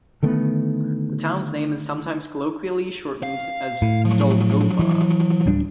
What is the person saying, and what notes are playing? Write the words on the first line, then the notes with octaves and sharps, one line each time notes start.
The town's name is sometimes colloquially shortened as "Dolgopa".
D3 D#3 A3 B3
F5
A2
F3 F#3
E3
D1 G3 D4